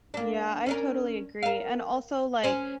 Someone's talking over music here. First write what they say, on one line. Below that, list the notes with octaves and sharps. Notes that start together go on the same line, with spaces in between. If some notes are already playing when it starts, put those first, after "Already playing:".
Yeah, I totally agree, and also like,
A#3 D4
C#4 D4 A#4
A#4 F5
C#4 C5